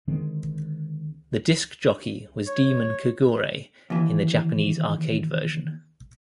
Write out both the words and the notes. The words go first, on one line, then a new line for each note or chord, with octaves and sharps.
The Disk Jockey was Demon Kogure in the Japanese arcade version.
D3 D#3 G#3 C4
C#5
D#2 E3